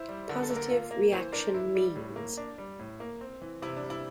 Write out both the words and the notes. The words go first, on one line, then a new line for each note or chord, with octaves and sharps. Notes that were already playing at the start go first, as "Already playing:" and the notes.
Positive reaction means.
Already playing: E4 C5
G3
D3 A#4
A4
A#3
A#4
F4
A#3
E3 C5
D4 A#4
E4
G3
A2
A#3
D4
G3
A2
A#3
C4
E3
C3 E4
D4
G3
E4